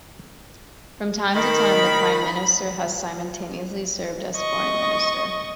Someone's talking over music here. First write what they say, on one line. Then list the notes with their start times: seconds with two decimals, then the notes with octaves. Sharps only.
From time to time, the Prime Minister has simultaneously served as Foreign Minister.
1.35 D#3 B5
4.37 D#5 C#6